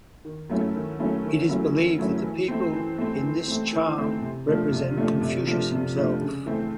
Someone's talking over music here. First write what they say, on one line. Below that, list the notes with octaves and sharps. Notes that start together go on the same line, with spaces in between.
It is believed that the people in this charm represent Confucius himself.
D#3
F#3 A3 C#4 E4
D#3
F#3 A3 C#4 E4
D#3
F#3 A3 C#4 E4
D#3
F#3 A3 C#4 E4
E3
A3 C4
E3
A3 C4
E3
A3 C4
E3
A3 C4
C3
F3 A3 D4
C3
F3 A3 D4
C3
F3 A3 D4
C3
F3 A3 D4
C#3
E3 A3 C4